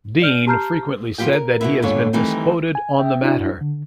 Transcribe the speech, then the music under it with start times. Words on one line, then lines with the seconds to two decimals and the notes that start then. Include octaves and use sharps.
Deane frequently said that he had been misquoted on the matter.
0.22 D5 F6 G6 E7
0.47 G4 A5 A#5 F6 G6 C7
1.18 B2 F3 B3 F4 G4 G5
1.33 A#4
1.61 B2 B3 E4
1.82 D#2 G#2 D3 B3 F4 C#5
2.13 D#3 E3 G3 A3 C4 D#4
2.75 G#5
2.99 E5 G5
3.22 D4 E4 F#4
3.61 D3